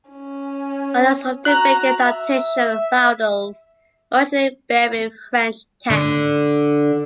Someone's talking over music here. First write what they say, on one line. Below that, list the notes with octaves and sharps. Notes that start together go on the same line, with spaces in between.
Others often make an adaptation of roundels originally bearing French texts.
C#4
F#4 A#5 F#6
E5
D3